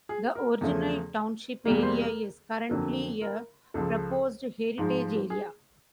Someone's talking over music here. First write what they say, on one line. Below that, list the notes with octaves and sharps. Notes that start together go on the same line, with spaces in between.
The original township area is currently a proposed heritage area.
G#4
A#4
E2 C#3 F3 A3
E2 B2 G3 A#3 A#4
C5
A#4
F2 D3 F#3 A#3 A4
A#4
C#2 C#3 F3 A4
G#2 F3 G#3
G#4